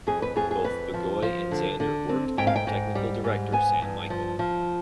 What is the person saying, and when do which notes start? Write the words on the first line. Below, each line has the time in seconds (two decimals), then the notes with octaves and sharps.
Both Bigois and Zander worked under Technical Director Sam Michael.
0.07 F2 G#4
0.22 B4
0.36 F2 G#4
0.51 G#4
0.65 F2 B4
0.94 F3
1.22 F3 C5
1.51 D3
1.80 D3
2.09 C4
2.38 G#2 G5
2.47 F5
2.56 G5
2.67 G#2
2.95 G3
3.24 G#2
3.52 B3 G#5
3.82 G2
4.10 F3
4.39 F3